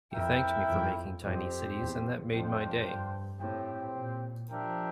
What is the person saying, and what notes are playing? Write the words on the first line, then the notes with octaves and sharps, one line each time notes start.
He thanked me for making Tiny Cities, and that made my day!
F2 E4 A#4 E5 G5
F2
F2 C4 G4 C5
E2
F2 D4 F4 C5 G5
G2
A2 C4 G4 C5 G5
A#2
F3 D4 G4 A#4 E5 G5